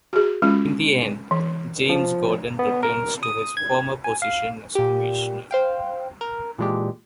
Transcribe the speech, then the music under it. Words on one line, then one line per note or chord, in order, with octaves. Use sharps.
In the end, James Gordon returns to his former position as commissioner.
F#4 G#4
G#3 C#4 F4
E3
F3
B3
A#4
D#6
G#6
G#5
F5
A#2 G4
C5 F5 G5
A#4
A#2 E3 G#3 D4 G4